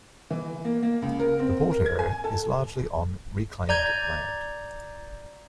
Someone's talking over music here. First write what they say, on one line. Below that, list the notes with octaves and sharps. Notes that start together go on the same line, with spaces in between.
The port area is largely on reclaimed land.
E3
A#3
A#3
C#2
A#4
C4
A#4
G#6
G#5
A4
D5 A#5 G6 G#6